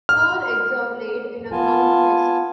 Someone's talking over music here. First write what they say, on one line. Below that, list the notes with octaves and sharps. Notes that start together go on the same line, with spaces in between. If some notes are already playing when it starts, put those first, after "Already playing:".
Four eggs are laid in a ground nest.
F6
B3 F4 G#5 A5